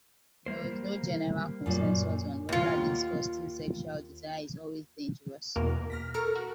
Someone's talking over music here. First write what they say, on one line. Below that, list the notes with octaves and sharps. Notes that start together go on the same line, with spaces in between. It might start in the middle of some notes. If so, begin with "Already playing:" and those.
There was no general consensus on whether disgusting sexual desire is always dangerous.
G3 A#3 C5
F#2 A#2
D#2 F4
E2 B2 A#3 A#4
F6 A#6 B6
A4 A#4 A#5 C#6 F6
F#4